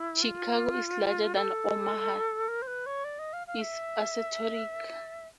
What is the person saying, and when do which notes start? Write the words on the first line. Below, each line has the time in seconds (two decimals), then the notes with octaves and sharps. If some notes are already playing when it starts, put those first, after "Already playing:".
"Chicago is larger than Omaha" is assertoric.
Already playing: E4
0.22 F4
1.35 A4
2.48 A#4
2.62 C5
2.67 B4
2.86 C#5
3.04 D5
3.19 D#5
3.33 F5
3.47 F5
3.61 E5